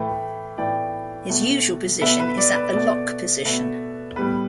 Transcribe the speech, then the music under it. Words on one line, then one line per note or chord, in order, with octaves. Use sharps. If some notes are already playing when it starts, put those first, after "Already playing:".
His usual position is at the Lock position.
Already playing: A2 E3 A3 G5 B5
A2 E3 A3 D5 G5
B2 A3
B2 A3 B4 E5
B4
D5
B4
B2 A3 D5
B2 A3 B4 E5
A2 G3 B3 B4